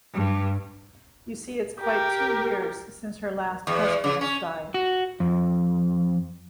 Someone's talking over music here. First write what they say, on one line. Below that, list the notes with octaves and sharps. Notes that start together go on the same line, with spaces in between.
You see, it's quite two years since her last husband died.
G2
G4 A#4
E2
C#3
C#4
F#4
F2